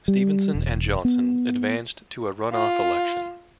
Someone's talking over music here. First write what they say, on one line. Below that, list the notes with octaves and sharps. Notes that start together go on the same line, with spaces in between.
Stevenson and Johnson advanced to a runoff election.
G3
E1
B3
F4